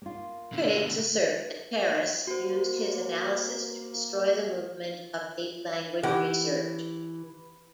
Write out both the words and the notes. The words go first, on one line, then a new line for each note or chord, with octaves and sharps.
Critics assert that Terrace used his analysis to destroy the movement of ape-language research.
A#3 F4
B2 D3
A#3 F#4 C5
E3 G4 F#5 G5